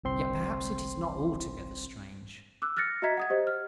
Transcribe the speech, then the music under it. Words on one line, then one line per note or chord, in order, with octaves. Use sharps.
Yet, perhaps, it is not altogether strange.
G1 C2 C4 C6
D6 E6 F#6
F6 F#6 A6 A#6 C#7
F#4 D#5 E5 A#5 G#6 B6
F#5 D#6 G#6
G4 C5 D#5
F6